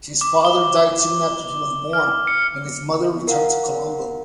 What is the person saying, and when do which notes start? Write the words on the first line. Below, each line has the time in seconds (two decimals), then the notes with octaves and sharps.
His father died soon after he was born and his mother returned to Colombo.
0.21 D6
0.45 G7
1.93 F6
2.27 C#7
3.27 A#4 F5 F#5